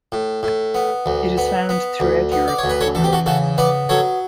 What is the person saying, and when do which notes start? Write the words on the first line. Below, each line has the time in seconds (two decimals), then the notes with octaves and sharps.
It is found throughout Europe, Mongolia.
0.12 A2
0.43 A2
0.75 B3
1.06 D2
1.38 B3
1.69 B3
2.00 D2
2.32 B3
2.48 D5
2.59 D2 C#5
2.69 B4
2.81 A4 C#5
2.95 E2 A4
3.04 G4
3.13 F#4 A4
3.26 C#3 F#4 A4
3.58 B3 B4 D5
3.89 F#3 A4 C#5